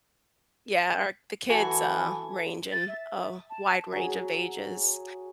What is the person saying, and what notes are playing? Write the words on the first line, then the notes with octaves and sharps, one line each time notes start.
Yeah, our the kids, uh, range in a wide range of ages.
E3 F#4 A4 F#5 G#5 A5
A6
E5
A5
F#3 G#4